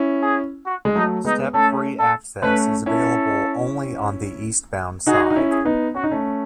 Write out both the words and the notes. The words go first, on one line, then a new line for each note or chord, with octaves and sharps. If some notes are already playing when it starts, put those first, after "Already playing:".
Step-free access is available only on the eastbound side.
Already playing: C#4 E4
G#4
F#4
G#3
F#3 A3 D#4
G#3 B3 D#4
A3 C#4 A4
A4
A3 C#4 B4
C#4 E4 A4
D#4 F#4 G#4
D#4
C#4 E4
G#4
B3 D#4
C#4 F#4
D#4
A3 C#4